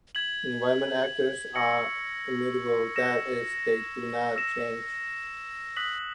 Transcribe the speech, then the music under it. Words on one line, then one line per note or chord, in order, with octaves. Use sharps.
Environment Actors are immutable, that is, they do not change.
G#6 B6 F#7
C#6 E6 A#6 C#7 F#7
E6 A#6 E7
E6 A#6 E7
D#6 F#6 B6 F#7